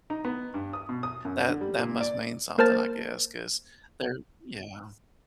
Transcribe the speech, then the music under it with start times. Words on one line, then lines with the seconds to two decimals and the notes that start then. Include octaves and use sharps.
that that must mean something, I guess, 'cause they're Yeah.
0.10 D#4
0.25 B3
0.54 G2
0.73 D#6
0.89 B2
1.03 D#6
1.25 F#2
1.48 D3
1.61 G3
1.79 A#2
2.00 D5
2.58 A#3 A#4 C5 A5 F6 A6